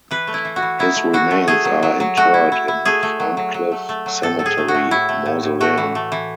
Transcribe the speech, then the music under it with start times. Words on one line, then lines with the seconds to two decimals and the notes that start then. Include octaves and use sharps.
His remains are interred in Ferncliff Cemetery Mausoleum.
0.11 E3 B4
0.27 A3
0.34 E4
0.45 E3
0.56 F#4
0.62 E3
0.79 D#4 E4
0.96 A3
1.13 E3 F#4
1.31 A3
1.48 A3 G#4
1.65 F#3
1.83 F#3
2.00 F#3
2.17 A3 F#4
2.34 E4
2.52 E4
2.68 E4
2.85 A3 G#4
3.03 A3
3.20 F#3
3.37 F#3
3.54 F#3
3.72 A3
3.89 A3
4.06 F#3
4.22 A2 A4
4.39 A2 A4
4.46 G#4
4.58 A3
4.68 F#4
4.75 A3
4.91 A2 E4
5.09 A3
5.26 A2
5.43 A2
5.60 A3 F#4
5.78 E3
5.95 A3
6.12 E3